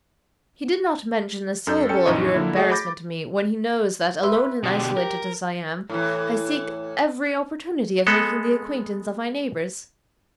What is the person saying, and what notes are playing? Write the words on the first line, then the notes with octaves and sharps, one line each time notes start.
He did not mention a syllable of your embarrassment to me, when he knows that, alone and isolated as I am, I seek every opportunity of making the acquaintance of my neighbors.
F#2 A4 G6
C#4 A4 G5 C#7
A#1 F#2 E3 D#4 D#5 C#6
D3 A#3 E4
A3 F#4 G#4 C#5 D#5
B5 D6 G6 A6 A#6
B4 E5 C6 E6
B2 D3 G4
A#4
A2 E3
G#3 B3 A4